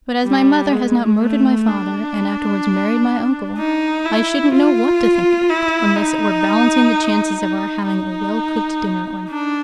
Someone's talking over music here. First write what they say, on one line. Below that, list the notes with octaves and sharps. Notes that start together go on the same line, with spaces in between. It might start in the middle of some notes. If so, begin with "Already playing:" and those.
But as my mother has not murdered my father, and afterwards married my uncle, I shouldn't know what to think about, unless it were balancing the chances of our having a well-cooked dinner or not.
G3
G#3
A3
D4
D#4
E4
F4
E4
D#4
D#4
D#4
D4